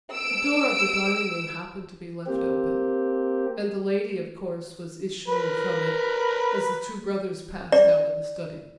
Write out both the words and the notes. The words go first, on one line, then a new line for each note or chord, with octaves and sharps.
The door of the dining-room happened to be left open, and the lady of course was issuing from it as the two brothers passed out of the study.
E6 D7
A#3 C4 G4
A#4 B4
D5